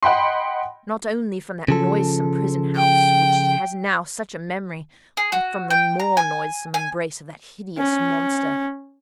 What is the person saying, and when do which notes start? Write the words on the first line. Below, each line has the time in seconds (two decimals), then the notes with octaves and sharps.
Not only from that noisome prison-house, which has now such a memory, but from the more noisome embrace of that hideous monster.
0.03 D#5 F#5 G5 B5 C6
1.68 C#3 F3 A4
2.76 G5
5.17 G#4
5.32 F#4
5.70 G5
5.99 A#5
6.17 G#5
6.74 G#5
7.78 C#4